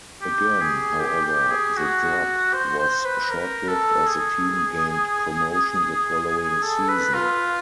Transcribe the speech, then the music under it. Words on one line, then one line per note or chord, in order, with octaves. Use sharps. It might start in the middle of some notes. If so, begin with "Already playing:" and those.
Again, however, the drop was short-lived as the team gained promotion the following season.
G4
G#4
G4
G4
G#4
F#4
C5
C5
B4
A#4
A4
G#4
G#4
A4
B4
F4